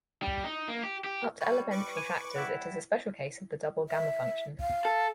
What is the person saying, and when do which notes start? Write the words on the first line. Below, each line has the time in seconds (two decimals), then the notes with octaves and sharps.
Up to elementary factors, it is a special case of the double gamma function.
0.22 G3
0.44 D#4
0.68 A#3
0.84 G4
1.04 G4
1.41 G3 B4 C#5
1.71 B4 C#6 D6
1.97 G#5
2.36 G3 E4 F#5
3.89 E5
4.60 F5
4.85 A4